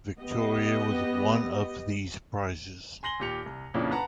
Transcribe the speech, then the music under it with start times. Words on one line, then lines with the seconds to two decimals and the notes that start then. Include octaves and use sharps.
"Victoria" was one of these prizes.
0.18 B3 G4 D#5
3.03 G#5 C6 A#6 F#7 G7
3.20 D#2 A#2 G4 C#7 F7
3.46 C2
3.74 F2 A#2 C#3 C#4 D4 E4
3.91 B4 F#5 A5 A#5